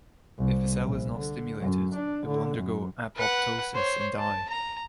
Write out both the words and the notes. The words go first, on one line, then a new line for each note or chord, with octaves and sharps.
If a cell is not stimulated, it will undergo apoptosis and die.
C2
A#1
D3
F#2
D4
D3
F#2
B4 F#5
C5 C#5
A5
A#5